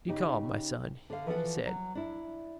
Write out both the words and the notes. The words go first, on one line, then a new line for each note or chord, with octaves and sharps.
"Be calm, my son," he said.
C#3 D#4 G4
D3 F5
E3 F3 A4 F#5
F#3
D4 E4